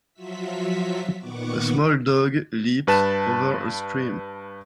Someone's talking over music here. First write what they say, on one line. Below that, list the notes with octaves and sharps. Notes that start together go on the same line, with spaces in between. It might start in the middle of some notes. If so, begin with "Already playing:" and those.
A small dog leaps over a stream.
F3 F#3 F4 F#4 E5 B6
A#2 D#3 B3 F#5 C#6 D6
G2 B4 A5 E7